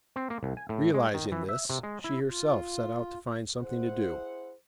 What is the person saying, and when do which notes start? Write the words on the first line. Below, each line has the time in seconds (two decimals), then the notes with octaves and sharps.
Realising this, she herself set out to find something to do.
0.16 C4
0.30 A#3
0.43 C2
0.57 G#5
0.69 A2
0.94 G#3
1.14 D#3
1.32 E3
1.49 E5
1.70 C3
1.83 G#3
2.04 E4
2.29 F4
3.62 E4 G#4 C5 F#5